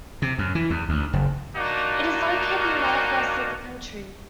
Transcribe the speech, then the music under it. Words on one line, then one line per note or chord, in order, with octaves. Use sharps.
It is located in the northwest of the country.
C3
F#2
E3
E2
D2
F#1
A#3 D4 D#4 F4 F#4